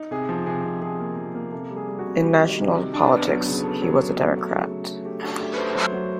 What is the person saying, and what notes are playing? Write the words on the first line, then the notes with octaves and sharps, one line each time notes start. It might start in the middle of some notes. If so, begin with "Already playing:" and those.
In national politics, he was a Democrat.
Already playing: D#4
C3 G#4
F3
C3 G#4
C3
F3 G#4
A#3
F3
A#3
C3 A4
G3
G#4
G3
F#4
C3
G3 G4
D#3
C3
C3
D4
B3
F#3
C#3
B3 A4
F#3
B3
F#3
A3
C#3
A3
A3
A3 G4
D4 F#4
A3 G4
B4
A3 C5
F#3 C5
F#3